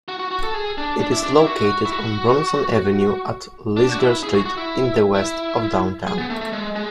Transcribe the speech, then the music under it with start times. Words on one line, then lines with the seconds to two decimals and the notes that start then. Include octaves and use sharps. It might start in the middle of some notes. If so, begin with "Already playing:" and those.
It is located on Bronson Avenue at Lisgar Street in the west of Downtown.
0.08 F#4
0.19 F#4
0.31 F#4
0.43 A4
0.54 G#4
0.78 D4
1.00 D4
1.12 E4
1.23 D4
1.35 E4
1.46 F#4
1.85 E4
1.92 F#4
3.77 D4
3.89 F#4
4.00 E4
4.23 G#4
4.34 F#4
4.45 F#4
4.57 E4
5.15 E4
6.07 G#4
6.18 B3
6.30 A3
6.41 A3
6.53 G#3
6.76 G#3